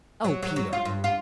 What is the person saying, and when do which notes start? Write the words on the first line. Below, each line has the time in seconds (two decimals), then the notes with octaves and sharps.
"Oh, Peter!"
0.24 F#3
0.42 F#3
0.56 F#3
0.73 F4
0.85 G2
1.04 F4